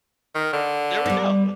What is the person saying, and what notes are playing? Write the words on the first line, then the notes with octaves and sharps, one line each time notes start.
There we go.
D#3
D3
G3 B3